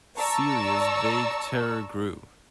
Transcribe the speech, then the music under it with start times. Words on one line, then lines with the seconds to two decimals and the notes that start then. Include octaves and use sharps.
Celia's vague terror grew.
0.18 D5 A5 A#5 C#6 E6